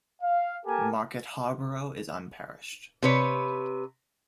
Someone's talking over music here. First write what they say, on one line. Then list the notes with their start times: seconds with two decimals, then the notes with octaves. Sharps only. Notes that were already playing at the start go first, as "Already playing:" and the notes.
Market Harborough is unparished.
0.22 F5
0.66 A#3 G4 A4 A#4 G#5 A5
3.03 C3 B4 C#5